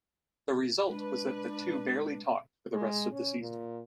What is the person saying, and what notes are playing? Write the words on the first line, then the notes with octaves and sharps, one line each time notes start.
The result was that the two barely talked for the rest of the season.
G#3 D4 B4
G#3
C#4
A#2